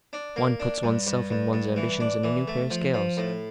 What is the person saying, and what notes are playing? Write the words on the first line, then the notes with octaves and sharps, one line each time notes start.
One puts one's self and one's ambition in a new pair of scales....
D4
A#3
D4
G2
G2
G2
G2
E3
D4
E3
A3
F3
F3
A2